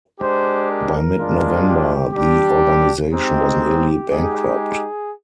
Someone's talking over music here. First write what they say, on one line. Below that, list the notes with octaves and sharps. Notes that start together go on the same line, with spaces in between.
By mid-November the organization was nearly bankrupt.
G#3 D4 G4 C5
A#4
G#3 D4 F4
G4
G3 D4 G4
G#3 C4 D#4 G4
G4
G#3 D#4 G4 G#4